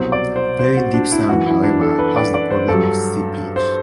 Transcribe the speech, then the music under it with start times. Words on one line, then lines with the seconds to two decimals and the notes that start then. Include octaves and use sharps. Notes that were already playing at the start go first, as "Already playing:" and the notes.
Very deep sand; however, has the problem of seepage.
Already playing: C2 B2 F#3 C5
0.12 D5
0.36 C5
0.59 C5
0.77 F#4
0.94 D4
1.12 E4
1.29 F#2 E3 F#4
1.46 E4
1.63 D4
1.81 A4
1.99 B4
2.16 D5
2.34 D5
2.50 C5
2.68 G2 F#3 A4
3.56 C5